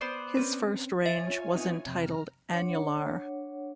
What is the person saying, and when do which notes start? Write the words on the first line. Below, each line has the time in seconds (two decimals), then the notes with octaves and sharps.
His first range was entitled 'Annular'.
0.01 B3 C5 D5
0.37 C4 C#4 B4
1.06 F4 C#5 E5 G#5
1.55 B3 C4 D#4
1.86 F2 C3 A#5 F6
2.52 D4 C#5 F#5